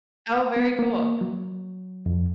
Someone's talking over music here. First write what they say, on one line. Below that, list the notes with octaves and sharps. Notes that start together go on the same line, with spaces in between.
Oh, very cool.
B3
A#3
F#3
F2